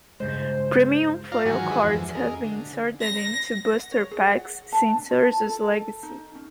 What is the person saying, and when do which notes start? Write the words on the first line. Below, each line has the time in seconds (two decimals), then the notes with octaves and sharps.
Premium foil cards have been inserted into booster packs since "Urza's Legacy".
0.20 G2 C#3 G#3 C5
1.32 F4 D5 F5 A#5
1.45 G#2 D#3 E3 F#3 F#4 G#5
1.71 G#3 G#4 B4 D5 E5 F#5
1.84 F2 E3
2.15 G#4 A#4 D#5
2.44 D3
3.02 A#6
3.77 F#5
3.92 C#5
4.11 G#4
4.27 F#5
4.72 A5
4.96 D4
5.10 F4
5.30 A5
5.46 A4
6.03 D#4
6.35 C#4